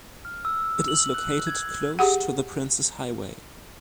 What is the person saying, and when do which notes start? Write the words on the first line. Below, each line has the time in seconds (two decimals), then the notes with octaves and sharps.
It is located close to the Princes Highway.
0.25 F6
0.45 E6
0.88 F#7
1.14 F#6
1.47 G#6
1.99 G4 G#4 F#5